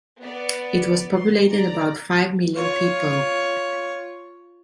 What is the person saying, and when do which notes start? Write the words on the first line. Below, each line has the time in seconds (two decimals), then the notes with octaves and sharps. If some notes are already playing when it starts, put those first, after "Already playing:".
It was populated about five million people.
0.20 B3 D5
1.14 C6
1.46 D5 A#5
2.55 F4 C#5